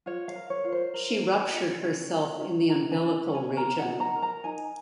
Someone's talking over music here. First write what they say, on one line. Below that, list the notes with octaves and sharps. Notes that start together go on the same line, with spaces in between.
She ruptured herself in the umbilical region.
F4 C#5
F5
A#4
C#5
F4
C5
A#4
A#4
F4
C#4
A#4
C#4
C#4 A#5
G#5
C#4
C#4
G#5
A#4 A#5
F#5
D#4
A#5
A#4
A#5
D#4 G#5